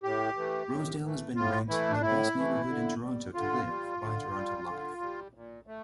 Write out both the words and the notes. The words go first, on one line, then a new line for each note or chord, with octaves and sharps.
Rosedale has been ranked the best neighbourhood in Toronto to live by "Toronto Life".
A2 G4
E3 A3
A2
E3 A3
A2 F4
E3 A3 E4
D4
A2 E4
E3 A3
D3
G3
D3 F4
G3
D3
G3
D3
G3
A#2
A3